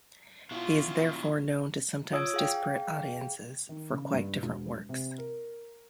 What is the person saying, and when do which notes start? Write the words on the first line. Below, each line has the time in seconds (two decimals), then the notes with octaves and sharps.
He is therefore known to sometimes disparate audiences for quite different works.
0.51 B2 E4 F4
2.12 F4 C#5 D#6 E6 G#6 D7
2.34 G#4 F5 G5
3.69 D#3
3.92 C#3
4.13 G2
4.43 E1
4.89 C3
5.18 A#4